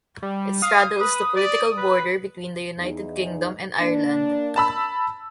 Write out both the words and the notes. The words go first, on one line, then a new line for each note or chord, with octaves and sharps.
It straddles the political border between the United Kingdom and Ireland.
G3
F5 D#6
B4
D5
B4
E2 D#4 G#4
A#3 D4
A5 B5 E6